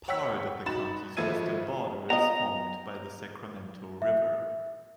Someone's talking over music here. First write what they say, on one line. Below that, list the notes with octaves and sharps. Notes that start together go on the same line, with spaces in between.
Part of the county's western border is formed by the Sacramento River.
C#5 F#5 G5 E6 B6
D#4 F#4 B5 A6 E7
G#1 F3 A4 E5 G#6 D#7
B3 F4 D#5 A#5
E5